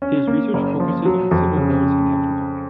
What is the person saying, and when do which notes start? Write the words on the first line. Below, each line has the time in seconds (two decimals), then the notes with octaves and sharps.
His research focuses on civil wars in Africa.
0.02 C#4
0.27 A#3
0.54 F#1
0.80 F3
1.05 F#3
1.31 F2
1.57 C#3